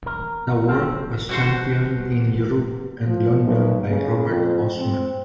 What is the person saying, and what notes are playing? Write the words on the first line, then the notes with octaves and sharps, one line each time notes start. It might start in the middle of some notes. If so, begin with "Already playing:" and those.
The work was championed in Europe and London by Robert Hausmann.
A#4
F#2 C4 F5 A5
B2 F#4 C5
F3
B1
C#3
F2
C4